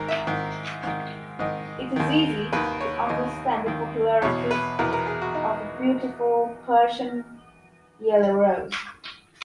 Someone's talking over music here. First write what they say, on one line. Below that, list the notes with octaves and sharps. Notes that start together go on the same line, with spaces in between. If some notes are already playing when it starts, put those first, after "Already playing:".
It is easy to understand the popularity of the beautiful Persian Yellow Rose.
Already playing: G#2 D#3 A#4
E5
G#2 D#3
G#2 D#3
G#2 D#3 D#5
D#2 D#3
D#2 D#3 B4
C#5
D#2 D#3 D#5
D#2 D#3
E2 B2 C#5
B4
E2 B2 A#4
A#4
G#4
F#4
D#4